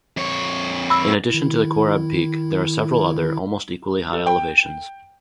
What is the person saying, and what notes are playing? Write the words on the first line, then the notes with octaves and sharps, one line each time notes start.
In addition to the Korab peak, there are several other, almost equally high elevations.
F2 C#5
B5 E6
D#3 E4
A4
G5